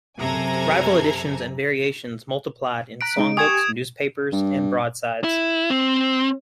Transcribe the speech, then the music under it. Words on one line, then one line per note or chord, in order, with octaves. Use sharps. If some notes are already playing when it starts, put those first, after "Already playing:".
Rival editions and variations multiplied in songbooks, newspapers and broadsides.
F#2 C3 A4 G#5 A#5 G#6
A#5 F#6 B6 D7
G#3 D#4
G4 G#5 C#6 D#6 G#6 E7
G2
E4
C4